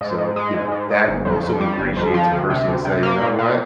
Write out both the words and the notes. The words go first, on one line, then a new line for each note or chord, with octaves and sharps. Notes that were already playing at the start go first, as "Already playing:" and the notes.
So, you know, that also ingratiates a person to say, you know what?
G#2
G#2
G#3
G#2
G#2
G#2
G1
F2
F2
G3
G1
F2
F3
D2
C3
D2
C3
A#3
A#2
A#2